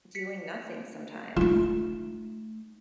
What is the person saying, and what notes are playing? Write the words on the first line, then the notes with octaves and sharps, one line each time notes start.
doing nothing sometimes.
B6 C#7
A3 D#4 F4 E7